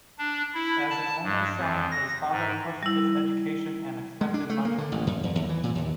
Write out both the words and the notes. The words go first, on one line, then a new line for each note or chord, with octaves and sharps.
As an only son, his father pushed his education and expected much of him.
D4
E4
A5
G2
F2
A#6
G#2
G3 E4
G#3
D4
A3
A#3
D3
A1
F#2
E2
D#2
E3
A#2
D#2